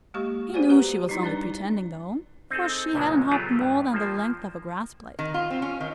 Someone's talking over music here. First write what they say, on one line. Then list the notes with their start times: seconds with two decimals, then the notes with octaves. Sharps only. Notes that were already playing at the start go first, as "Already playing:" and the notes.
He knew she was only pretending, though, for she hadn't hopped more than the length of a grass-blade.
0.14 G#3 A#3 G4 C#6
0.54 B3 F#4 G#4 C5 D5 G#5
0.69 G4 B4 F#5 A#5
1.09 G3 D#4 E4
1.23 D4 D#4 B4 D5
2.51 C4 D#4 G#4 A4
2.95 C#2 A#2 C#3 F3 F#3 G#3
3.32 F#3 A3 B3 F4 G4 G#4
3.61 G2
3.93 F3 A#3 C5
5.19 D#3
5.34 F4
5.50 C4
5.62 C#4
5.81 D#3